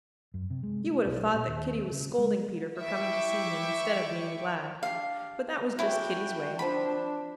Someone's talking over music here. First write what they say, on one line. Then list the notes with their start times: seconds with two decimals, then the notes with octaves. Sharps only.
You would have thought that Kitty was scolding Peter for coming to see him instead of being glad. But that was just Kitty's way.
0.34 F#2
0.50 C3
0.63 G#3
0.86 A3
1.05 B1
1.34 A#2
1.48 D#2
1.91 C#3
2.18 G#3
2.81 E4 E5 G5 C#6 D6
4.83 D4 G4 F5
5.79 A3 C#4 E4 F#4 G4 G5
6.59 F3 C4 D4 F4 A5 B5